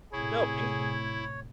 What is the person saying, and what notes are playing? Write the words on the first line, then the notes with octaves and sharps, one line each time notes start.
No, ping
A2 C3 E4 G#4 C#5